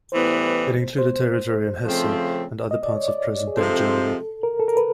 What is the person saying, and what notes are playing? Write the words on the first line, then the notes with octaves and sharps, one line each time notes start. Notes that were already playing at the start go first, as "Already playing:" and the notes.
It included territory in Hesse and other parts of present-day Germany.
A2 E3 G3 B3 C5
C5
C#3 F3 A3 C4
D#5
D5
C#5
D5
G#4
C3 F3 G#3 C4 A4
A#4
A4
A#4
B4